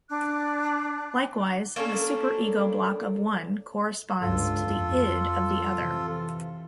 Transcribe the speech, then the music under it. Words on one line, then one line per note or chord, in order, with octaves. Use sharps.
Likewise, the super-ego block of one corresponds to the id of the other.
D4 D6 F#6
A#3 C#4 D4 A4
G1 C#2 F4 A4
F2
C3 E3